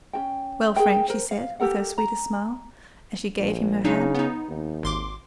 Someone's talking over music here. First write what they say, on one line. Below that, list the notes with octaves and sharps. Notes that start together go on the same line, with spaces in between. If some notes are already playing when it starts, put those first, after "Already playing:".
"Well, Frank?" she said, with her sweetest smile, as she gave him her hand.
C#4 F#4 G5
G#4 A#4 G5
A#4 C5
F5
G4 A4 A#4 F#5
A#5
A#1
C#3 F#3 D4 D#4
B3 D#4
D#2
G#1 C6 D6